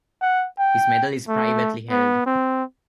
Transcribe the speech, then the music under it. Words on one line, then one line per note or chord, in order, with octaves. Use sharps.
His medal is privately held.
F#5
G5
A3
B3
C4